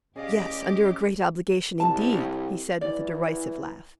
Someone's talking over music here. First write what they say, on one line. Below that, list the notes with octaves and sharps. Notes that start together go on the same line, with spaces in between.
"Yes, under a great obligation, indeed!" he said with a derisive laugh.
A1 C#4 G4 G#4 D5 D#5 F5 D6
C2 A5
E3 D5